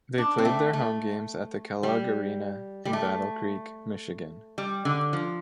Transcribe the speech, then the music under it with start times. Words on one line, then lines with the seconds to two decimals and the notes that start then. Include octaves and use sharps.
They played their home games at the Kellogg Arena in Battle Creek, Michigan.
0.18 D4
0.38 C4
0.45 A3
0.73 A3
1.83 G3
2.85 G3
2.93 A3
4.58 G3
4.85 D3
5.13 F3